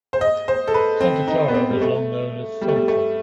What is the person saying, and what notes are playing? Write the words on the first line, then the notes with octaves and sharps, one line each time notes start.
Santa Clara was long known as "Central".
C5
D#5
C5
A4
B4
C4
D#4
B3
C4
G3
A3
G3
A3
G3
A3